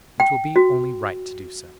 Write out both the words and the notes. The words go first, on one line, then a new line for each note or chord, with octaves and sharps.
"It will be only right to do so."
G5
F#4